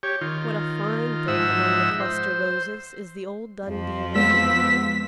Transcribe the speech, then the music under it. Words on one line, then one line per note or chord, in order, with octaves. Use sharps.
What a fine thing, among the cluster Roses, is the old Dundee Rambler!
G4 C#5
D#3 F4
G#2 F3 D#4 E5 F#5 E6
C5
F2 F3
G#3 B3 E6 B6